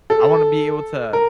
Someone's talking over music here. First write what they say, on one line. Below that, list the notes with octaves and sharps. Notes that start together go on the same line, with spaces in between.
I wanna be able to
A4
A#4